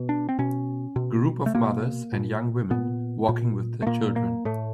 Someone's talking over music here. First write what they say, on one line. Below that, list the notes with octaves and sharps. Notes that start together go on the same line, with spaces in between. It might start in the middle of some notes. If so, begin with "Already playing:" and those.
Group of mothers and young women walking with their children.
Already playing: B2
D4
C4
B2 C#4
B2
A3
B2 A#3
A#2
A#2 B3
A#2
A3
A#2 A#3
A#3
A2 A3